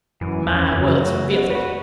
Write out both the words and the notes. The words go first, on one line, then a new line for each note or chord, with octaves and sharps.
Mine was filthy.
F#2 E3
E2 C#4 E4
F#2 C#3
A3 F#4
B3
F#4 B4